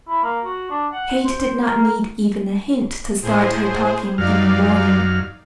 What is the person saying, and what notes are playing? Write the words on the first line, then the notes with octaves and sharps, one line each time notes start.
Kate did not need even a hint to start her talking in the morning.
E4
A#3
F#4
D4
F#5
C5
A#4
A2 G#4 C5
F#2 D#4 D5 F5 F6